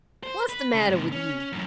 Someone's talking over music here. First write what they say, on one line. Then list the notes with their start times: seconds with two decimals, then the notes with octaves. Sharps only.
What's the matter with you?
0.23 C5
0.49 B4
0.74 C#3 G#3
0.89 G#2 C3
1.12 C#4
1.53 F#2 A2